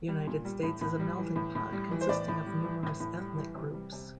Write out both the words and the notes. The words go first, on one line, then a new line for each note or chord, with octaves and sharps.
The United States is a melting pot consisting of numerous ethnic groups.
G3
A#2
G3
A2
A2
G3
E3
A2
A2
G3
E3
C5
A2 D5
A2
G3
E3
A2
A2
G3
E3
C3
G3
C3